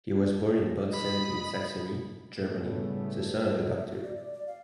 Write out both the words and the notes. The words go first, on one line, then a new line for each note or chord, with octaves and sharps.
He was born in Bautzen in Saxony, Germany, the son of a doctor.
D#5 B5
A2 C#3 G3 A3 B3
E5
F#4
D5
D5
D5
F5